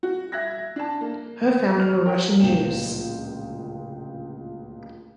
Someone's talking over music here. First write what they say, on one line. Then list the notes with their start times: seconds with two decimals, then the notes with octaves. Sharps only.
Her family were Russian Jews.
0.03 F#4
0.32 E5 F#6 G#6 A#6
0.76 D4 A5
1.01 A#3
1.80 F6
2.06 A#4 G5
2.40 D1 C#2 A#2 A#3 G5 E7